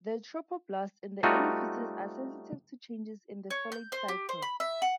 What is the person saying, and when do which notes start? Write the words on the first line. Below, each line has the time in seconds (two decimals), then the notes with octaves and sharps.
The trophoblasts in the early fetus are sensitive to changes in the folate cycle.
1.23 G3 A3 C4 D#4 F4 F#4
3.50 C#5
3.72 G6
3.92 C5
4.08 G4
4.29 C5
4.42 B5
4.60 E5
4.82 F#5